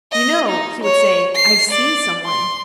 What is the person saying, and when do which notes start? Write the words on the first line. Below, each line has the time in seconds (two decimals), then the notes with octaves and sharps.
"You know," he would say, "I've seen someone."
0.12 D#5
0.49 D#4
0.83 C#5
1.35 C7
1.71 D5
2.25 C6